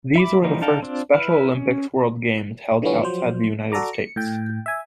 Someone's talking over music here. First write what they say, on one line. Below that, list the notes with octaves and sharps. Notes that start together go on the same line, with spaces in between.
These were the first Special Olympics World Games held outside the United States.
E5 B5 D6
E3 F3 G3 A#3 D#4
D4 D#4 A4 F5 G5
C4 D4 F4
E4 B4 F6
C#4
D3 E3 F3 G3 B3 C#4
F3 F#3 C5
F#4 A4 D5 A#5 D6
C#7
A2 G5
E5 G#5